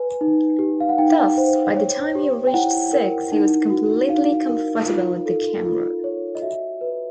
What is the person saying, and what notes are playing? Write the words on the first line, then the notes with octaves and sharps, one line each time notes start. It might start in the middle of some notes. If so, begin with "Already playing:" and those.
Thus, by the time he reached six, he was completely comfortable with the camera.
Already playing: B4 G#5
D#4
G4
F5
F#5
D#4 G5
C5
C#5
G4
G5
E4 F#5
A#4
D#4
F#4
D#4 F5
A#4
F4
A4
F4
C#5
D#5
F#4 E5
B4